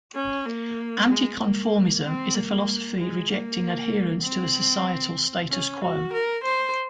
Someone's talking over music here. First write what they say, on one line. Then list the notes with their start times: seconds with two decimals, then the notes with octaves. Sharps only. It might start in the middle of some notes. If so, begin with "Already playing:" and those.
Anticonformism is a philosophy rejecting adherence to the societal status quo.
0.15 C#4
0.46 A#3
1.09 G#3
1.41 A#3
2.04 C4
2.35 A#3
2.98 G#3
3.29 A#3
4.24 C4
5.50 C#4
5.82 F#4
6.13 A#4
6.44 C5